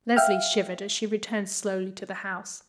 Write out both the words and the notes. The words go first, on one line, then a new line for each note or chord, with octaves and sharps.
Leslie shivered as she returned slowly to the house.
E5 F5 G5 F6